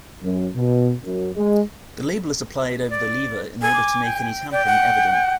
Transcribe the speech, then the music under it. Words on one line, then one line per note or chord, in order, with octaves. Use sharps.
The label is applied over the lever in order to make any tampering evident.
F#2
B2
F#2
G#3
D5
A4 G#5
D6
G5
D5 G5
F#5